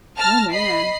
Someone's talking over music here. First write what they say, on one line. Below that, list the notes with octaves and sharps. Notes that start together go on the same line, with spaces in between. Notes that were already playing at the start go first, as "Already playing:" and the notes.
Oh man.
A5 F6 A#6
D#5 B5 C7